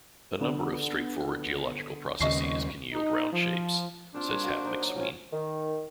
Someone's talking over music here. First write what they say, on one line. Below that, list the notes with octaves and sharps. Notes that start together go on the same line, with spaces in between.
"A number of straightforward geological processes can yield round shapes," says Hap McSween.
D3 B3 D4
D#2 C#3 D#5 C#6 C7
D#4
F3
C4 D4 F4 C5
G3 A#3 C#5
A#3 F#4 C5
D#4 C5
F#3
F3 C#4
D#3